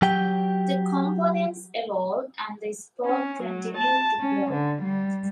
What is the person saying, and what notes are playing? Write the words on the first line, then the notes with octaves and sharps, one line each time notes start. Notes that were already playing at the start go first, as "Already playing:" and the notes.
The components evolved, and the sport continued to grow.
F#3 G4 G5
C#4
F#3
A5
C#4
D3
G3